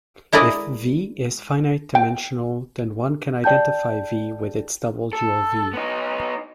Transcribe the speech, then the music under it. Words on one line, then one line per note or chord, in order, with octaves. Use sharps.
If "V" is finite-dimensional then one can identify "V" with its double dual "V".
G#3 E4 A#4 D5 D#5
G5
D5 G5 A5 G6
A4
B3 D#4